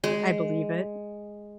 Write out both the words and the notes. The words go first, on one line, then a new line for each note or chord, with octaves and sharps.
I believe it.
G#3